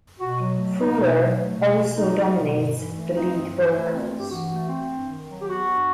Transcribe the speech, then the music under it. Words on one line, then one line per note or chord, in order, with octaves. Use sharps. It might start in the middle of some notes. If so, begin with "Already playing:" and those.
Fuller also dominates the lead vocals.
B2 F#4
F#3
A3
B2 D#4
B2
F#3
A3
B2
B2
F#3 D#4
A3
B2
G2
E3
A3
C4 D#4
G2
E3
A3 E4
C4
G2
G4
E3 F#4
A3
C4
G2
D#3
F#3
G4
B3 F#4
G2